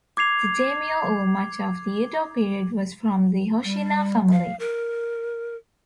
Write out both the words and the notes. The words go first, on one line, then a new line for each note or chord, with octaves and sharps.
The daimyo over much of the Edo period was from the Hoshina family.
D6 G#6 C7 F7
G3
F5
A#4